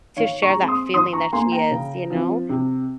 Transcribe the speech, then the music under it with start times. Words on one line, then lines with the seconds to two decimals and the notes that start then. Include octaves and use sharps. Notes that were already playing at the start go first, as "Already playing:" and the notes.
to share that feeling that she is, you know?
0.17 D#3 C#5 F5
0.42 A#5 C#6
0.55 G#3 C4
0.68 C6 D#6
0.94 D#3 C6 D#6
1.13 A#5 C#6
1.33 A#3 G#5 C6
1.52 G5 A#5
1.71 C#3
2.10 F3 C4
2.49 C3